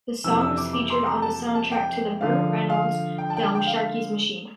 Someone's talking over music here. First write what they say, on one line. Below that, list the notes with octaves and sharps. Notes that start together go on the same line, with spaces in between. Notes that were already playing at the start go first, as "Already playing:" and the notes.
The song was featured on the soundtrack to the Burt Reynolds film "Sharky's Machine".
F2 C3 E3 E6
E6
D6
D6
C6
A#5
A5
A5
G5
G2 D3 F3 F5
F5
G5
A5
G5
A5
G5
F5